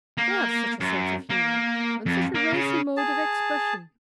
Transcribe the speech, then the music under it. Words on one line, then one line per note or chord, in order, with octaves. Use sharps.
They have such a sense of humour, and such a racy mode of expression!
A#3
F#2
A#3
F2
A#3
C#3
G#4 A5